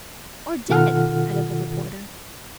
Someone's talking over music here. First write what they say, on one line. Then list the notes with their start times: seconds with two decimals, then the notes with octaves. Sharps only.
"Or dead!" added the reporter.
0.70 B2 D#3 F4 A4 F#5 F6